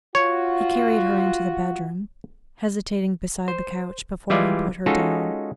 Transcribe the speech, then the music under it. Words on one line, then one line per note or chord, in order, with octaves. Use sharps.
He carried her into the bedroom, hesitating beside the couch before he put her down.
F4 F#4 C#5
C5
E3 G3 G#3 E4 F4 D5
G#3 C#4 D#4 F4 F#4 A4